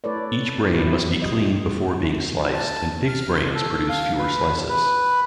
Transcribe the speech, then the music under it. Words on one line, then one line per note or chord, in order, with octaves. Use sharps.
Each brain must be cleaned before being sliced and pigs' brains produce fewer slices.
A3 E4 A4 B4 C#5 D5
B2 F#3 D#4 E4 B4
G4 D#5
A5
F6
A4
F5
B4
B4